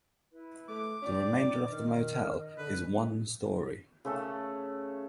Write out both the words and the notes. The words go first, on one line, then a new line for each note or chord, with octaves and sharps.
The remainder of the motel is one story.
E4 B4
A3 D6
D4 D5 G5 A#5
D#3 F6
D#5
D3 B4
C#3 A3 C#4 A4